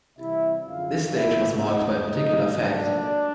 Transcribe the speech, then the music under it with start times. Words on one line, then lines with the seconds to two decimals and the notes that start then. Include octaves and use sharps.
This stage was marked by a particular fact.
0.18 C3 E3 G3 E4 E5
0.66 F#2 D3 F3 G#3 F4 F5
1.15 A2 F3 G#3 E4 E5
1.63 E2 C#3 F3 A3 D#4 D#5
2.12 A2 F#3 A3 D#4 D#5
2.60 A#2 F#3 A3 D4 D5